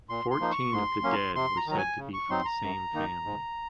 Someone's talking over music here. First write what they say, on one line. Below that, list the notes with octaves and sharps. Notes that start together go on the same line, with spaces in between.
Fourteen of the dead were said to be from the same family.
A#2 C6
C6
F3 A#3 D#4
C#6
G#2 C6
F#3 A#3 C#4
C3 C6
A#5
D#3 F#3 A#5
G#5
C#3
C#6
F#3 C4 D#4 C6
A#5
F#2
D#3 A#3 D#4
G#2